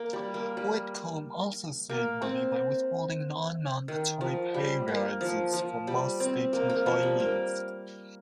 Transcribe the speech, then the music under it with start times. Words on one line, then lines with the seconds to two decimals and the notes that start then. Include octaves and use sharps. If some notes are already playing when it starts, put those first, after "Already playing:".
Whitcomb also saved money by withholding non-mandatory pay raises for most state employees.
Already playing: A#3
0.13 G3
0.34 A#3
0.57 G3
1.89 A#3
2.22 C4
3.88 D#3
4.21 F3
4.54 G3
4.88 A#3
5.21 F3
5.53 F3
5.87 G3
6.20 C4
6.53 A#3
6.70 A#3
6.86 F3
7.03 G3
7.20 A#3